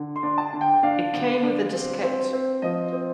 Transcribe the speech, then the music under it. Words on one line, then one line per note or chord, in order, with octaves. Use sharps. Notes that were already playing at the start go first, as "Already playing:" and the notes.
It came with a diskette.
Already playing: D3
C6
D4
A5
D3
G5
D4 F5
D3
D4
C4
C4
C4
F3 D#5
C4